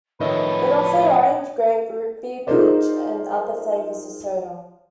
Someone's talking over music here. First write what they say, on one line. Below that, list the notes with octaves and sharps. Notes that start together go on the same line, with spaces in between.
It offered orange, grape, root beer, peach, and other flavors of soda.
A2 D#3 F3 B4 C#5 D#5 E5
D#4 F4 G#4 A#4 C5 D5